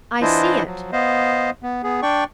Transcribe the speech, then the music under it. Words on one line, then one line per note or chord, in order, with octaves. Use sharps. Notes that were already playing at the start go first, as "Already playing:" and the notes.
I see it!
E3 D4 E4 F4 C5 D#5
F3 F#3
B3 C5 D#5 F5
B3
B3 G#4
D4 D5 G5 C#6